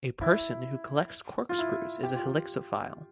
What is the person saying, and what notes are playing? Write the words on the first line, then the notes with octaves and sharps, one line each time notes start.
A person who collects corkscrews is a helixophile.
E4
F4
E4
G4
F4
G4